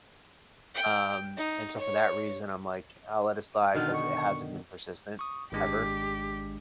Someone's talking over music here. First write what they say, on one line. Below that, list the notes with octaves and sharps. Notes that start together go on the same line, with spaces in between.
Um, and so for that reason, I'm like, "I'll let it slide," 'cause it hasn't been persistent ever.
G5
D#4
C#5
B2 D3 D#3 F4
C#6
C#6 D#6
G#1 G#3 D4 G4